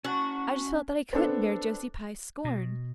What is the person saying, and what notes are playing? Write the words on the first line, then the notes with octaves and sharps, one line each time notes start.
I just felt that I couldn't bear Josie Pye's scorn.
C#4 F#4 G#5 A5
B3 C4 D4 A4
B2